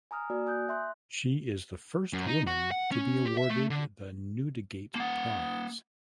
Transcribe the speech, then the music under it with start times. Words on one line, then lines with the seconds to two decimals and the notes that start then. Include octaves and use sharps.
She is the first woman to be awarded the Newdigate prize.
0.11 G#5 A#5 D#6 F6
0.30 A#3 F#4 D5
0.46 G#5 D#6 F#6 G6
0.69 E5 C6 F#6
2.13 F#2
2.27 D#4
2.47 F#4
2.71 F#5
2.92 C#4
3.25 G4
3.37 E5
3.50 A3
3.70 D3
4.95 A#3 F#5